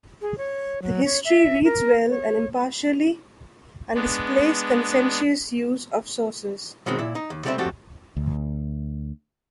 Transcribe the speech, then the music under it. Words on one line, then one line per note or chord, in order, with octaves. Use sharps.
The history reads well and impartially, and displays conscientious use of sources.
G#4
C#5
F#3
C#5
E5
A#4
C#5
G#3 B3 D4
B2 D#3 F#3 G#3 C4
A#2 E4
D#4
D#2
C3 G3 A3 C4 C5 E5
F3 A3 C4 F#4 G4 A4
D2